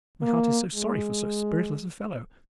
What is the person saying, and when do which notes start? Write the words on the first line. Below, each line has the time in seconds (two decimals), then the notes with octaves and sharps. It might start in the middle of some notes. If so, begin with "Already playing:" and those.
But my heart is sorry for so spiritless a fellow!
0.22 A#3
0.75 G#3